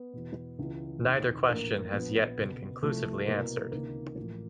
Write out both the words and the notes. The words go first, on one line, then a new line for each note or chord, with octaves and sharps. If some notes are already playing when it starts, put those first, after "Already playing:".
Neither question has yet been conclusively answered.
Already playing: B3
E2 B2
C#2 C#3 E3
E1 E2 C3 D#3
A#1 A2 E3 A#3
A#1 A#2 F3 B3
C#2 B2
C2 C3 F3 A3
C2 B2 A#3
C#2 C3 D#3 A#3
A1 A2 F3